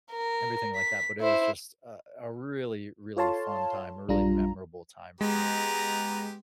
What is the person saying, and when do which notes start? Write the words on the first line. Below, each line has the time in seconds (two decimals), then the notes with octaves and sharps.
everything like that but it was just a a really, really fun time, a really memorable time for me.
0.11 A#4
0.75 B6
1.21 E4 C5
3.17 F4 A4 C#5 F5 A5 C6
4.08 A#1 G3 D4 F4 A#5
5.21 G#3 B3 G4 A#5